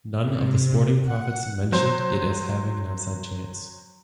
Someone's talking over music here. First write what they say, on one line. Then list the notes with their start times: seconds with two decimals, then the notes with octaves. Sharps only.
None of the sporting prophets mentioned it as having an outside chance.
0.23 C3
1.03 F#5
1.72 F#3 C5